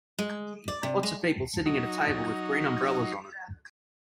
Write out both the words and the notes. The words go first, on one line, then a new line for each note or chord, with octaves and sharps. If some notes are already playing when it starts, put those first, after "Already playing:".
Lots of people sitting at a table with green umbrellas on it.
G#3
D5
C3
G#3
F#3 D#4